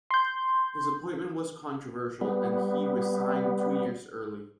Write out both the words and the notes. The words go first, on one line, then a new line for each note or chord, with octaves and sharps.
His appointment was controversial and he resigned two years early.
C6 G6
G3 B3